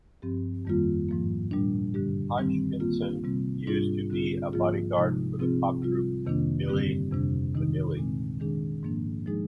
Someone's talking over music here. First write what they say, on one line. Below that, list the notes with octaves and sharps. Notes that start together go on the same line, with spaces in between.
Hodgkinson used to be a bodyguard for the pop group Milli Vanilli.
G2 F3 C4 G4
F2 D#3 G3 A#3 F4
G#2 F3 A#3
A#2 G3 D4
G2 D3 G3 D4 G4
D#3 G3 C4 G4
D#3 A#3 F4
C3 G3 C4
G#2 G3 D4 F4 G#4
D3 G3 C4 F4 G#4
G#2 F3 A#3 F4 G#4
C3 F3 G#3 D#4
C3 F3 C4 F4 G#4
C3 G3 C4 F4
F2 C3 D#3 A#3 D4
G2 D3 G3 C4 G4
F2 C3 G3 D4
C3 D#3 G#3 D#4
A#2 G#3 C4
D#3 G#3 D4 G#4
G#2 F3 A#3 D4
F3 G#3 D#4 G#4